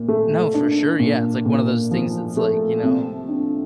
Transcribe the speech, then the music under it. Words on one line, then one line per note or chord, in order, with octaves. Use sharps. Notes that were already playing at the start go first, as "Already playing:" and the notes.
No, for sure Yeah, it's like one of those things that's like, you know,
Already playing: A#2
A3
D4
A#2
A#2
F3
A3
C3
D4